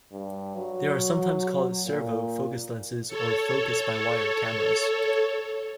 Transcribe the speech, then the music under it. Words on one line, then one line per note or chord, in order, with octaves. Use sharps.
They are sometimes called "servo" focus lenses or "focus by wire" cameras.
G2
F#3
A#2
A4 C#5